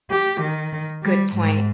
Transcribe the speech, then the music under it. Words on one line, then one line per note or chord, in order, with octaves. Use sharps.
Good point.
G4
D#3
G3
G#2